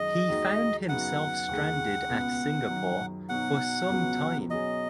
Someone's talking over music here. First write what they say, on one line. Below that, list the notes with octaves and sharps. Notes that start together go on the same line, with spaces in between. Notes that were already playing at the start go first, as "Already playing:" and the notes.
He found himself stranded at Singapore for some time.
Already playing: F#2 D#3 G#3 D#5
D#2 D#3 G#3 D#4 F#4
F#2 C#3 B3 D#4 F#4 F#5
D#2 C#3 G#3 D#4 G#4
C#2 B2 B3
F#2 D#3 F#3
B2 F#3 D#4 F#4 F#5
C#2 B2 F#3 B3 F#4
B2 F#3 C#4 G#4 D#5